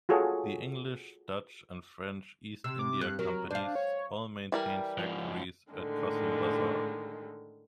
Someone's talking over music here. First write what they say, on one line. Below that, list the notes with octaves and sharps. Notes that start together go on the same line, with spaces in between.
The English, Dutch and French East India companies all maintained factories at Cossimbazar.
F4 F#4 G#4 A4 C#5
C3 E6
D6
G2 F#6
F#3 A#4
D4 C5 F5
C#5
E3 G3 A#4
G#2 F3
A2 D3 D#3 G#3